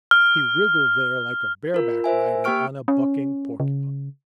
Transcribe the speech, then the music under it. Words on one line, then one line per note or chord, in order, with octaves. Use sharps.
He wriggled there like a bareback rider on a bucking porcupine.
F6
F4 A#4
A#4 C5 E5 G#5
A#3 G4 G5 C#6 F6 D7
C#4
C#3